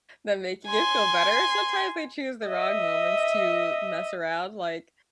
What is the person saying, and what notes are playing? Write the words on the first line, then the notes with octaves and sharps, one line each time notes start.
them making it feel better. Sometimes they choose the wrong moments to mess around, like,
G#5 C6
D#5 E5